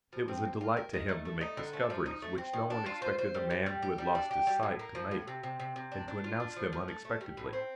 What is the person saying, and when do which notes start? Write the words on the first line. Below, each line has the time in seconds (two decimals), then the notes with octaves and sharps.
It was a delight to him to make discoveries which no one expected a man who had lost his sight to make, and to announce them unexpectedly.
0.13 F3
0.28 C4
0.45 C4
0.61 F4
0.77 A#4
0.93 D#4
1.09 A3
1.25 A3
1.41 D#4
1.57 D3
1.73 A3
1.90 F3
2.06 D#4
2.22 A3
2.38 C4
2.53 D#3
2.70 D4
2.86 F4
3.02 C5
3.18 C5
3.34 G3
3.50 G3
3.66 G3
3.82 G4
3.98 G3
4.15 D4
4.31 G4
4.47 G3
4.63 A2
4.79 A#3
4.95 F3
5.11 A2
5.27 C3
5.43 C3
5.60 C3
5.76 C3
5.92 D4
6.08 D4
6.24 F4
6.40 D4
6.56 F3
6.73 F3
6.88 A3
7.05 A3
7.21 G3
7.37 A2
7.53 C4